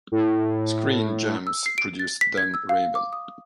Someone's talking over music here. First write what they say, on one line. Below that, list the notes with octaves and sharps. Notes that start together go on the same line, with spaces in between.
Screen Gems produced "Dan Raven".
A2
E6
C7
D7
A6
B6
G#6
E6
F5
D6
D#6